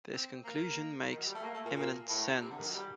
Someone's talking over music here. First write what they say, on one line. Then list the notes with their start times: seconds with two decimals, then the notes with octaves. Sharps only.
This conclusion makes eminent sense.
0.12 C4
0.44 A#3
1.10 D#3
1.18 F#3
1.26 G3
1.34 A3
1.43 A#3
1.54 A3
1.65 A#2
1.76 A#2
2.09 A2
2.41 C3
2.50 D3
2.58 D#3
2.65 F#3
2.74 G3